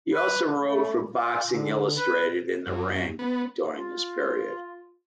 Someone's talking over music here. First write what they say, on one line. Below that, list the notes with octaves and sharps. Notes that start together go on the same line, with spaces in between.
He also wrote for "Boxing Illustrated" and "The Ring" during this period.
B4
A3
F4
D3
B4
F#2
B3
F4